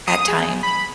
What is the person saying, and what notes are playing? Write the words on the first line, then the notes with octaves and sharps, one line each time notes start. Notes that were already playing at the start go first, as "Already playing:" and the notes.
at times.
D#6
G#4
B5